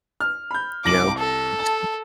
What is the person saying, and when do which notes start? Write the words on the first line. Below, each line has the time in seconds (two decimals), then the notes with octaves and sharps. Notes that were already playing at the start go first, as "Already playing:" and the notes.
you know? We just
0.20 F6
0.51 B5 G6
0.85 C2 D6 A#6 F#7
1.18 A4
1.59 A5